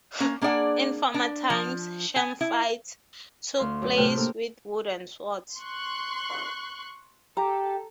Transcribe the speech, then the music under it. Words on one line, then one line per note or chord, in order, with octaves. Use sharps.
In former times, sham fights took place with wooden swords.
A#3 C#4
A#3 D4 G#4 D5 F#5
D4
F3
G#5
E4
D2 F5 C6
F#2
A2 C3 A3 G5 F6 F#6
A#3 D4 A4 A#4
C6 C#6 F#6
G4 A4 A#5